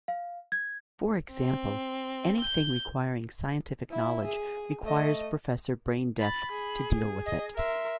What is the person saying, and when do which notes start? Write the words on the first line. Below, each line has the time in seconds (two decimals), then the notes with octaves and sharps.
For example, anything requiring scientific knowledge requires Professor Braindeath to deal with it.
0.08 F5
0.52 G#6
1.33 C4
2.40 G6
3.91 E4 E5
4.25 G#4
4.84 A3 D#5
6.20 B5 A6
6.51 G#4
7.25 D#5
7.57 A#4 E5 C6